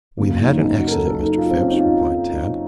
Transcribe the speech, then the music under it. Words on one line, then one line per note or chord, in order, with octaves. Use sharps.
"We've had an accident, Mr. Phipps," replied Tad.
F#1 F#2 C#3 F#3 A#3
A#3
D#4
C#4
D#4
F#4
A#4
A4
A4
D#4
F4
C4
C#4
D#4
F4